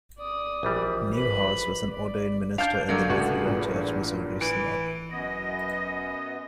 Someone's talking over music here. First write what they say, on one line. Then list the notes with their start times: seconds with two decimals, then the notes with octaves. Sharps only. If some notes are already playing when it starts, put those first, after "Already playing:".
Neuhaus was an ordained minister in the Lutheran Church-Missouri Synod.
0.18 D5 D#6
0.63 A#1 E3 G3
1.14 B4 B5
1.89 D5
2.58 D4 F5 G6 F7
2.89 D3 F#3 A#3 D5
3.09 C#2 A2 F#4
3.45 E2 G2 A#2
4.41 E3 D7
5.10 F#2 B3 D#5